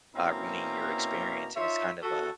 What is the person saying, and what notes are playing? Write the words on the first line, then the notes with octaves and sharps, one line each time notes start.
uh ruining your experience, and it's kind of a
B2 A#3 C4 C#4 E4 A#5
D#4 F4 C5 C#5 E5
F#4 A4